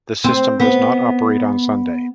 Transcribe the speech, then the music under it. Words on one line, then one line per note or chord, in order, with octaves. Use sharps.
The system does not operate on Sunday.
C4
B3